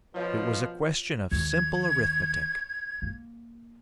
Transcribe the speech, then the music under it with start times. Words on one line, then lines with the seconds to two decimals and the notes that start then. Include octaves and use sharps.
It was a question of simple arithmetic.
0.15 B2 F3 F4 C#5
1.32 D#2 G#6
3.02 A#3